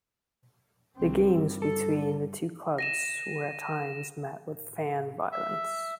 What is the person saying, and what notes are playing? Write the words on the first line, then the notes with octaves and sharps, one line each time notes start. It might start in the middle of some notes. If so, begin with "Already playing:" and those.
The games between the two clubs were at times met with fan violence.
C2 C4
G2
A4
A#6 D#7 E7
E5